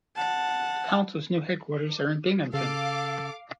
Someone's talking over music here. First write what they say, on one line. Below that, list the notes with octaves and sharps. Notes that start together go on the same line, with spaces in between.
The council's new headquarters are in Binghamton.
F#5 A5
C#3 A4 F5 D6